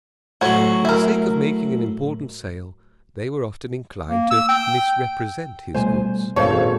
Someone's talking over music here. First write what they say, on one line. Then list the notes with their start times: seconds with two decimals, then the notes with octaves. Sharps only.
For the sake of making an important sale they were often inclined to misrepresent his goods.
0.41 A2 F#3 F#4 C#5
0.85 E4 A#4
4.09 A#3
4.31 E6
4.49 G5
5.74 B2 G3 A3 C5 G#5
6.36 G#1 F#2 A#2 A4 C5 C#5 F5